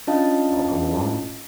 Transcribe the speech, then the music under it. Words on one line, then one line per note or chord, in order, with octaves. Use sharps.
"I'll come along."
C#4 D4 F4 D#5 F5 A5